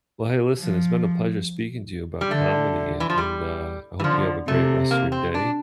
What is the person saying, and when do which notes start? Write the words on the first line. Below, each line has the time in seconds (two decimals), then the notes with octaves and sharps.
Well, hey, listen, it's been a pleasure speaking to you about comedy and and, uh, I hope you have a great rest of your day
0.58 F3
2.21 G3
2.31 D3 A3
3.00 E3
3.10 F3
3.18 G3
4.00 E3
4.04 D3 F3
4.47 C3 A3
4.91 A#3
5.12 C4
5.35 D4